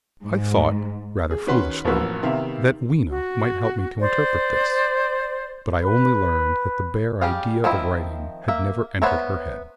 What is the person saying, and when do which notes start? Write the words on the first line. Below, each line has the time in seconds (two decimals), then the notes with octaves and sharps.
I thought, rather foolishly, that Weena might help me to interpret this, but I only learned that the bare idea of writing had never entered her head.
0.23 G#2
1.31 G#4
1.47 D#3 C#4 F#4 B4 F#5 C6
1.85 A1 F2 A#3 F#4 B4 E6
2.23 C3 D#3 B3 G4 E5 F5
3.09 F#4
4.00 C5 D5
5.82 B4
7.22 G3 G4 G#4 F5
7.64 D#3 F3 C4 E4
8.48 A#3 E5
9.02 B3 C5 C#5 E5 A#5